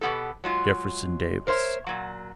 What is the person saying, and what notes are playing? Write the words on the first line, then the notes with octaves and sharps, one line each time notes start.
"Jefferson Davis."
B2 F#3 B3 G4 A4
F#3 G#3 F4
A#4 C5 C#5 E5
A#2 F#3